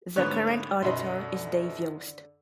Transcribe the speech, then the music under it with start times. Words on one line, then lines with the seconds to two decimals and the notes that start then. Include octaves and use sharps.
The current Auditor is Dave Yost.
0.16 G#2 D3 A3 B3 C#4 G4 C#5 F#6
0.82 F#2 B2 D3 D#4 A#4 D#5 B5 C6